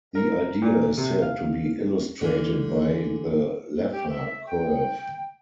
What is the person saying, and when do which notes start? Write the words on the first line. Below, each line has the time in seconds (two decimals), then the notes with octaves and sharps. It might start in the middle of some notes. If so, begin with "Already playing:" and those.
The idea is said to be illustrated by the Laffer curve.
0.15 A#4
0.62 A#2
0.97 C3
1.22 F5
2.21 D3 E3 F5
3.91 G4
4.09 E5
4.46 G5